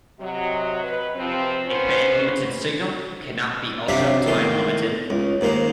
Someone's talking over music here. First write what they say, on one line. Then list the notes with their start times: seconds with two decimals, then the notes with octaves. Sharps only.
A bandlimited signal cannot be also timelimited.
0.20 C3 F#3 D#5
0.82 B4
1.15 C3 F3 C4
1.66 B3 C#4 B4 C5
3.89 C3 F#3 D4 G4 E5 F5
4.26 E2 D#3 A3 A5 C6
5.10 C#2
5.41 D#2 G#2 A#3 C5